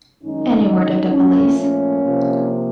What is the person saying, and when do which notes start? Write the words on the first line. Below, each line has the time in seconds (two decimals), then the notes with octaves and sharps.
Any word of the police?
0.24 F#2 D#3 G#3 C#4 D#4
1.12 A#2 F3 A3 C#4
1.58 C#4
2.01 C3 F3 A#3